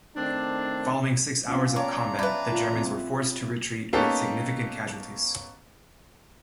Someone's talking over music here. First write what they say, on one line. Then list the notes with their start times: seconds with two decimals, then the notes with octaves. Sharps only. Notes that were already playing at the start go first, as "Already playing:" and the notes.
Following six hours of combat, the Germans were forced to retreat with significant casualties.
0.16 D#3 A3 C4 D4
1.48 B3 C#4 F4 F5
1.76 D4 F4 C#5 G5 A#5 D6
2.19 B4 D5 E5 B5
2.52 F4
2.73 C4 A4
3.93 A#3 B3 C#4 D#4 G4 A4